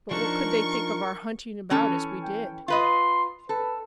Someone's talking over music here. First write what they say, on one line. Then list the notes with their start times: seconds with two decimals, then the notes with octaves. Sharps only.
"But what could they think of our hunting about as we did?"
0.11 F3 D4 D#4 A#4 C#6
1.70 E3 C#4 A4
2.23 G5
2.68 F4 B4 D#5 C6
3.49 A4 B4